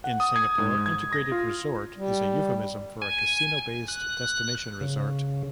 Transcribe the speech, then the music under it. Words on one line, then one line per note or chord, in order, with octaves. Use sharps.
In Singapore, "integrated resort" is a euphemism for a casino-based destination resort.
F#5
D#6
G#6
G#2
G#6
A#6
F4
G3
G#5
F#6
C#3